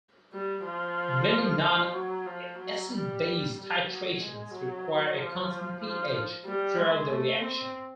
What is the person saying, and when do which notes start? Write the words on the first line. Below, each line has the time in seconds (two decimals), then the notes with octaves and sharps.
Many non-acid-base titrations require a constant pH throughout the reaction.
0.33 G3
0.65 F3
1.62 F3
1.93 F#3
2.26 F3
2.59 F#3
2.90 G3
3.55 G3
3.87 F#3
4.19 G#3
4.51 F#3
5.16 F3
5.81 F3
6.45 G3
6.77 G#3
7.10 A3
7.41 C4